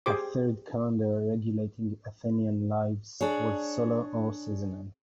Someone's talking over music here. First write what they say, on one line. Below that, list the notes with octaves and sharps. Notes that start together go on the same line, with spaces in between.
A third calendar regulating Athenian lives was solar or seasonal.
G4 G#4 C5 D6
D4 G#4 C#5